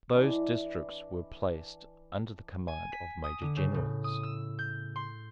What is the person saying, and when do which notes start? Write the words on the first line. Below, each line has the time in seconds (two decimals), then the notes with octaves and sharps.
Those districts were placed under the command of Major Generals.
0.13 E3 D4 D#5
2.68 G#5
2.92 B6
3.24 D#6
3.42 D3
3.57 C#3
3.74 A2
4.04 D#6
4.23 E6
4.59 G6
4.96 C6